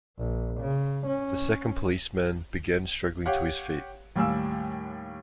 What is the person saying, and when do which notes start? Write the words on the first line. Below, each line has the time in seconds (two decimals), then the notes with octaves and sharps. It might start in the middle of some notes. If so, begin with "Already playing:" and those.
The second policeman began struggling to his feet.
0.18 A#1
0.60 C#3
1.06 C#4
3.26 G4 C#5 F5 F#5
4.16 D#2 A2 G3 F5 G#5 E6